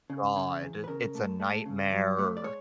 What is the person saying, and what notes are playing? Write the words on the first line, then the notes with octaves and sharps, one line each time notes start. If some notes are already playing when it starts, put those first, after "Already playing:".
god, it's a nightmare.
C#3
C#3
E2
B4
C#3 A#4
A3
A3
C#3
F#3
A3
D5
G#3 C#5